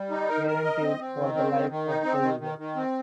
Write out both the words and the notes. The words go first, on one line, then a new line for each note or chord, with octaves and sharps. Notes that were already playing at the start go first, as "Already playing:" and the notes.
Guaranteed for the life of the user!
Already playing: G3
D#4
A#4
A#4
D#5
C4
C4
D#3
C4
D#3
D#3
D#4
C4
D#3
D#3
D#3
C4